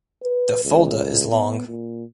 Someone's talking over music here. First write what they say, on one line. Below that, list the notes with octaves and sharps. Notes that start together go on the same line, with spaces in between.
The Fulda is long.
B4
C#2
B3
A#2